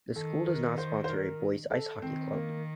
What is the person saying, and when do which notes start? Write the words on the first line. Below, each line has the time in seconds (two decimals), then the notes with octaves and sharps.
The school does not sponsor a boys ice hockey club.
0.15 D#3 A4
0.46 A#4
0.78 C5
1.04 C5
1.09 A#4
1.70 A4
2.02 D#3 C4
2.33 A#3